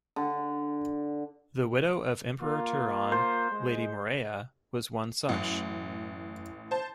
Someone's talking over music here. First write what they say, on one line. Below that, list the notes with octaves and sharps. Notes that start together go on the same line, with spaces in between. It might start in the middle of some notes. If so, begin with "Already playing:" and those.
The widow of Emperor Turhan, Lady Morella, was one such.
D3
A#3 F4
C5
G#3
A1 F#2 F#3
C5 A5